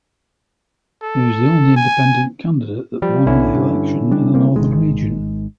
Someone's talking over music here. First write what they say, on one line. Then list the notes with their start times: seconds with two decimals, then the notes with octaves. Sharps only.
He was the only independent candidate that won the election in the Northern Region.
1.02 A4
1.76 G#5
3.02 F3 G3
3.26 B1 B2 D3 C#4 E4
3.55 G2
4.11 G3 D4
4.34 G3 A#3 C4
4.56 G#1 D#3 G#3